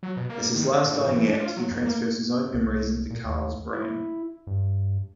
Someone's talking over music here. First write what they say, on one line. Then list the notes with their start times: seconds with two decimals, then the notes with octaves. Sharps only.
As his last dying act he transfers his own memories into Karl's brain.
0.03 F#3
0.17 B2
0.30 A#3
0.56 D#3
0.73 D3
0.86 A2
1.07 E3
1.28 D4
1.40 F4
1.57 F#3
1.71 F2
1.86 A#3
2.54 C2
3.10 A#2
3.25 D#2
3.74 E4
4.47 G2